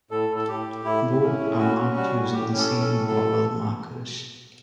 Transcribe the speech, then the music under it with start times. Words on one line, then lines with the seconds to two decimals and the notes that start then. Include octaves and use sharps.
Both are marked using the same vowel markers.
0.11 A2 A4
0.29 A2
0.36 A4
0.48 A2 G4
0.67 A2
0.84 A2 E4
1.04 A2
1.23 C#4
1.41 A2
1.58 C#4 F#4
1.78 C#4
1.95 G3 F#4
2.15 A2
2.32 A2 G4
2.51 C#4
2.57 A4
2.69 A2
2.82 A4
2.88 A2
3.06 F#3 A4